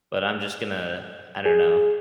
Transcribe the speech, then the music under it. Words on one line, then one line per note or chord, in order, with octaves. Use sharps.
but I'm just gonna, I don't know
G#4